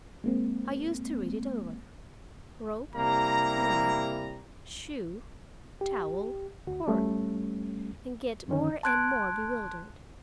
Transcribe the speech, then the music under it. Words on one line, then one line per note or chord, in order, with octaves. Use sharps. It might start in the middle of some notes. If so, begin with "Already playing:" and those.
I used to read it over, "rope, knife, shoe, towel, Horn--" and get more and more bewildered.
G#3 A#3 C4
C3 G3 A#3 E4 A#5
G4
D2 F#4
G3 A3 C#4
F#2 D3 D#3 C#4 D#4
A5 C6 F#6 G#6 D7